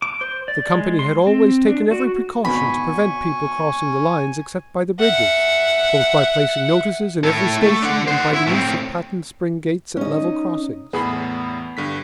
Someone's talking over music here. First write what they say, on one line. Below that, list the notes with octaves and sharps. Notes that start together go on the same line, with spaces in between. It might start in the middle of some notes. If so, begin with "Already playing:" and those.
The company had always taken every precaution to prevent people crossing the lines except by the bridges, both by placing notices in every station and by the use of patent spring gates at level crossings.
D6
C5
D5
G#3
C6
C4
D4
F#4
G#1 B2 B3 G#5 B5 C#6
E5 F#5
E4 A4
A3
D4 F#5
C5 F#5
E4
A2 C4
C#4 D#4 D#5
E2 A2 B3 G#4 B5
G2 D3 B6